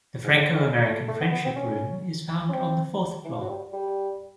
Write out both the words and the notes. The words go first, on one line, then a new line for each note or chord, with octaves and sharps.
The Franco-American friendship room is found on the fourth floor.
G#2
C#3
D3
G#3
A3
A3
B3
B3
C4
C#4
C#4
C4
E3
F3
F#3
G3
G3